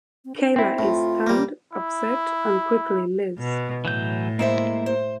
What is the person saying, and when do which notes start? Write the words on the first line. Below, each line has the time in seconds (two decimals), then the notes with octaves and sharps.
Kayla is stunned, upset, and quickly leaves.
0.25 C4
0.36 D4
0.56 C4 E4
0.79 A2 F4
1.27 G3 A#3
1.73 E4
3.38 B2
3.85 A2 E3 F#3 G6
4.39 G#3 A#3 E4 C5 E5
4.86 C5